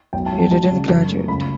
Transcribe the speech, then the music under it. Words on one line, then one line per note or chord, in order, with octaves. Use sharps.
He didn't graduate.
B1 G5
A5
F#3
A5
G3 A5
C#3
F#2
A3
C#2 B5